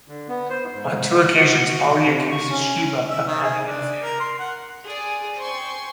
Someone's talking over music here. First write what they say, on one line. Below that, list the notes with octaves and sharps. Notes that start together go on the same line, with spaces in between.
On two occasions, Polly accuses Sheba of having an affair.
D3
B3
C5
G#2
F#4
C3
C#6
C#4
E5
D#3
G#4
D4
A#4
C6
F#5
G#4 D5
C5 G5 G#5 C6 C#6